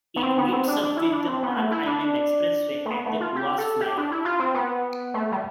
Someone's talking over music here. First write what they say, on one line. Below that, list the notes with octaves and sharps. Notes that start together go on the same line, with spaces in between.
It meets up with the Pan Island Expressway at the Tuas Flyover.
B3
C4
B3
C4
D4
D4
E4
D4
C4
B3
A3
E4
D4
A3
B3
A3
F4
G4
A4
G4
D4
E4
F4
C4
B3
A3
G3